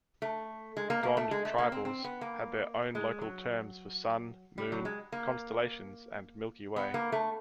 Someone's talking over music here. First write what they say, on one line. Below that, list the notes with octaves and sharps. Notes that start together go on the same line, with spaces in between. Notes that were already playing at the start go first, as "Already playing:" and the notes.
Gond tribals had their own local terms for Sun, Moon, Constellations and Milky way.
A3
G#3
A#3
A#3
A3
G#3
A3
A#3
C4
C4
B3
A#3
G#3
F#3
G3
F#3
G#3
A#3
B3
A#3
A3